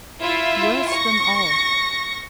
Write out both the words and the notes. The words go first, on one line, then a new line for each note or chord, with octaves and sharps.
Worse than all!
E4 F4 E5
C#6 A#6